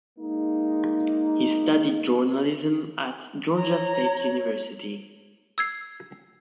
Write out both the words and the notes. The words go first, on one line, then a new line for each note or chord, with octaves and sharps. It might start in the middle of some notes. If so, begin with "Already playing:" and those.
He studied journalism at Georgia State University.
G#3 A#3 D#4
C#5 A#5
E6 G#6 C7